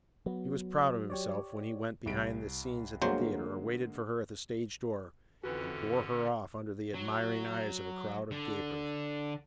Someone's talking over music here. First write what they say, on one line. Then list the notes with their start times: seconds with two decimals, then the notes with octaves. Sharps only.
He was proud of himself when he went behind the scenes at the theatre or waited for her at the stage door and bore her off under the admiring eyes of a crowd of gapers.
0.26 F#3 B3
1.10 G4 C#5 D5
2.06 C2 D7
3.02 G1 D3 F#3 G#3 A#3 C5
5.43 F2 D3 E3 C#4 F#4 B4
6.95 F#3
8.31 D3